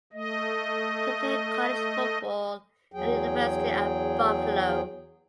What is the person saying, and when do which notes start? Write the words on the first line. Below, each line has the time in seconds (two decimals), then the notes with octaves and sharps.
He played college football at the University at Buffalo.
0.13 A3 D#5
2.92 E2 F#3 G#4 G5